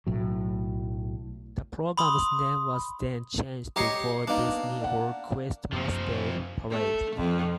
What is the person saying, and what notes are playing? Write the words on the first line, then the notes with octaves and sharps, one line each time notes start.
The program's name was then changed to Walt Disney World Christmas Day Parade.
B1 A2 F#3
B5 C6 D#6
G4 C#5 D#5 A#5 C7 C#7
A#3 B3 D4 D#4
D5 F#5
F#2 C3 F3 A#3
A3
F2